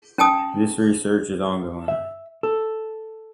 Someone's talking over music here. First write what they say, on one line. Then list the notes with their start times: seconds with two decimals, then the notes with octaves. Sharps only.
This research is ongoing.
0.18 C#4 G5 A5 D#6
1.88 E5
2.43 A4